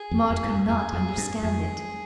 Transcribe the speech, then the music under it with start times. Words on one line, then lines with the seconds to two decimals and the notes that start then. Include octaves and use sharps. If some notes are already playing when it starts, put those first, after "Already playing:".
Maud could not understand it.
Already playing: G#4
0.11 F2
0.30 F2
0.44 G2
0.49 F#2
0.68 F2 G#4
0.93 F2
1.18 G2
1.43 F2 G#4